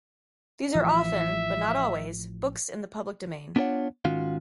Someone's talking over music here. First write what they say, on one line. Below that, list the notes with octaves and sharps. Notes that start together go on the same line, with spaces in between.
These are often, but not always, books in the public domain.
A1 E3 F3 E5
B3 D4 F4 A4 C#5 F#5
G#2 D#3 C#4 F4 F#4 F5